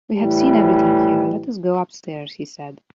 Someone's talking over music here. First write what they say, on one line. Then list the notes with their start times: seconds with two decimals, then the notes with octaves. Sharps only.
"We have seen everything here; let us go upstairs," he said.
0.17 A2 E3 G3